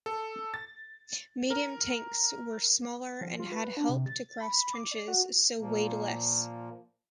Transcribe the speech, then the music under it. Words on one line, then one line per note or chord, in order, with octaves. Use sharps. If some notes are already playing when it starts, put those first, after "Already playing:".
Medium tanks were smaller and had help to cross trenches so weighed less.
A4
A6
A#4
F3
F4
B4
D4
C3
A6
A6
B5
D6
D5
F#4
A#2 F3 A#3